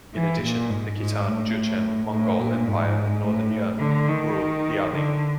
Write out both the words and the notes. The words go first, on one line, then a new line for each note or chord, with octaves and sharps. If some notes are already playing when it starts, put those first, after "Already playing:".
In addition, the Khitan, Jurchen, Mongol Empire and Northern Yuan ruled Liaoning.
E3
A#2
G#2
G#2
A2
A2
A#2
G#2
A2
D3
D#3
D3